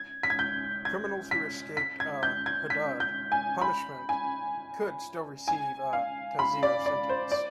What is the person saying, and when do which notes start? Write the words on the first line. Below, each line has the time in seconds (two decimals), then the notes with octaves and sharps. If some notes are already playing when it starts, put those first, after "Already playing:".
Criminals who escaped a "hudud" punishment could still receive a "ta'zir" sentence.
Already playing: G#6
0.23 B6
0.30 G#6
0.39 G6
0.85 G#6
1.31 B6
1.77 B6
2.00 G#6
2.23 G6
2.46 G#6
2.70 B6
3.00 G6
3.32 G#5
3.61 B5
4.09 G#5
5.48 G#5
5.93 F5
6.39 B5
6.63 D5
6.86 D5
7.09 C5
7.32 D5